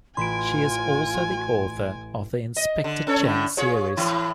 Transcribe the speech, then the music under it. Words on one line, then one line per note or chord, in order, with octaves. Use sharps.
She is also the author of the Inspector Chen series.
A1 F4 G#5 B5 C6 D7 E7
D#5
D3
C#4 A4 C#5
A2 D3
F4 G#4 C#5
A2 E3 E4